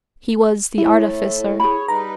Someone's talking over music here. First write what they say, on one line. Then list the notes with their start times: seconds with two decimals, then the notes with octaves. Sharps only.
He was the artificer.
0.78 A2 A3 E4
1.60 G#4 C#5 B5
1.88 G3 D#4 B4 A#5